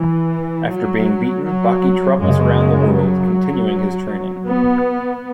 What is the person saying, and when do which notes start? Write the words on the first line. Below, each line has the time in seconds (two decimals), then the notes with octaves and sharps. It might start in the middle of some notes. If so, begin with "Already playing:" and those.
After being beaten, Baki travels around the world continuing his training.
Already playing: E3
0.69 F#3
1.44 F#3
2.19 F#2 C#3 G#3
2.95 F#3
4.46 B3